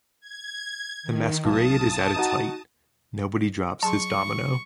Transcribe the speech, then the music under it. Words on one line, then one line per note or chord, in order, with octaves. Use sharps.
The masquerade is at its height. Nobody drops his domino.
G#6
D#3
B1 A5 D#6
D#4 F#4
F#3 G#4 A5 C6 C#6